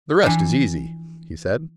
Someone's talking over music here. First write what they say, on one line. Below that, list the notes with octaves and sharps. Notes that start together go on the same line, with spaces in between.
"The rest is easy," he said.
E3 F3 D4